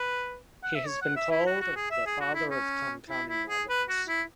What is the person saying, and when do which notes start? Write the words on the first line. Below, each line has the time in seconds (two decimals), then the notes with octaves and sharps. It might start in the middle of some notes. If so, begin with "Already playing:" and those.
He has been called "the father of Konkani novels".
Already playing: B4
0.64 F#5
0.75 E5
0.87 C#5
1.02 F#5
1.16 E5
1.31 E4
1.46 F#4
1.61 F#4
1.76 G#4
1.91 E5
2.06 G#4
2.21 F#4
2.35 E4
2.51 C#4
3.10 E4
3.29 E4
3.49 G#4
3.69 B4
3.89 F#4
4.08 E4